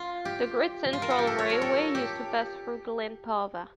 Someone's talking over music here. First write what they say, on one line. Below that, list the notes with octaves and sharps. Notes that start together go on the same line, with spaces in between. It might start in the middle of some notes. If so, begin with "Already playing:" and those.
The Great Central Railway used to pass through Glen Parva.
Already playing: F4
G4
F4
A#4
A4
G4
A4
C#5
A#4
A4
G4